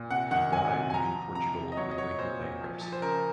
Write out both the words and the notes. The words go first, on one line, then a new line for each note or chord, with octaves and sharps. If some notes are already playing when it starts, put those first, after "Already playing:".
He died leaving Portugal on the brink of bankruptcy.
Already playing: A#2
C3 F#5
D#3 F#5
F#3 G#5
C3
G#5
F3 A#5
F3
C3 A#5
C3
D#5
F#3 C#5
D#5
F#3 C#5
A#2 C5
A#2
F3
F3
C5
C#3 A#4